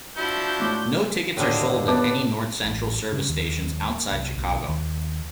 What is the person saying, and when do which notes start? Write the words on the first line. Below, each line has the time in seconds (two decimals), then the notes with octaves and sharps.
No tickets are sold at any North Central Service stations outside Chicago.
0.17 F3 D4 E4 F#4 G6
0.60 A2 D6
1.37 D#2 A2 D3 G#4
1.88 B3 A5 D6
2.64 A1
3.13 C#3
3.29 D#2
3.90 A#3
4.11 C2
4.38 B1
4.68 D#2